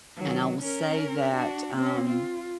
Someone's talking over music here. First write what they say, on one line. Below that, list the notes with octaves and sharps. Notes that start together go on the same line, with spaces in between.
And I will say that, um
D#3 F#3
C#4 A#4
D4 F#4
C4 C#4
F4